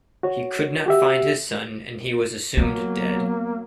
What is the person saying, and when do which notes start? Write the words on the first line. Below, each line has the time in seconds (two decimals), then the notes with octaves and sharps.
He could not find his son and he was assumed dead.
0.23 F#4 C#5
0.86 F#4 G4 E5
2.57 F#3 A#3 B3